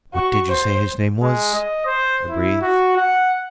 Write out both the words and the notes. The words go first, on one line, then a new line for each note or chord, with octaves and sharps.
"What did you say his name was?" I breathed.
F#4 C#6
C5
G#3
D#5
C5
E4
F#4
F#5